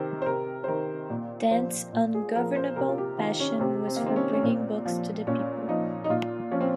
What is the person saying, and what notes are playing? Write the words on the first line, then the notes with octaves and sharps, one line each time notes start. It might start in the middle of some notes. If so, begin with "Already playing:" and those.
Dent's ungovernable passion was for bringing Books to the People.
Already playing: C3 D#3 A#4 C5
C5
C3 A#4
C5
D#3 A#4
A#2
F3 C5
A#2
G#4
F3 A#4
C5
C3 A#4
F4
G4
D#3 F4
C#4
C3 C4
C4
A#3
D#3 C4
C#4
C#4
A#2 C4
F3
A#2 C#4
F3 D#4
D#4
A#2 F4
F3 C#4
C4